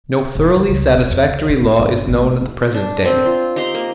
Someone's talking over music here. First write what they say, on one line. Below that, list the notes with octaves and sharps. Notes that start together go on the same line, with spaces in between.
No thoroughly satisfactory law is known at the present day.
E1
C#2
C#2
E1
F2
C#2
D#3
C4
G1
A1
A3
E4
D4
C4
F4
D#4 G4 A#5 C6
A#3